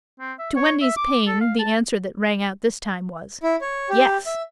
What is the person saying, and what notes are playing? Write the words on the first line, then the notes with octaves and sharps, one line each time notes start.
To Wendy's pain the answer that rang out this time was "Yes."
C4
E5
C#5
E5
D6
A4
F5
A5
E4
C#5
G4
E5